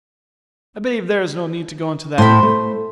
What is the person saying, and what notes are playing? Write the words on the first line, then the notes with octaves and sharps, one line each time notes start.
I believe there is no need to go into that either.
A2 C5 B5
A3